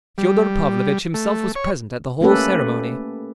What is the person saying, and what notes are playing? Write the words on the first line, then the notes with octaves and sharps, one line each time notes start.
Fyodor Pavlovitch himself was present at the whole ceremony.
G3
A3
C#5
A3 A#3 C#4 G4 A4 B4